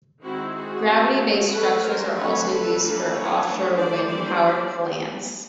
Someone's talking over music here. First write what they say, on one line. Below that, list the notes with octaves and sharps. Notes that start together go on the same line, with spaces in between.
Gravity-based structures are also used for offshore wind power plants.
D#3 G#3 C4 E4 F#4
F#4 G#4
F3 A3 C4
F3 A3 C#4 A4 B4
A#4 C5
D3 F#3 A3 C4 B4 C#5
A4 B4
E3 G3 A#3 D4
B4 C#5
F3 A3 D4
C5 D5
E3 G3 A#3 D4 C5 D5